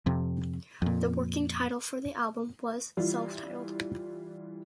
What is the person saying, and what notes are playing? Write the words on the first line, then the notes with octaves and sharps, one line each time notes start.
The working title for the album was self-titled.
F2 C3
F2 A#2
E3 G3 F4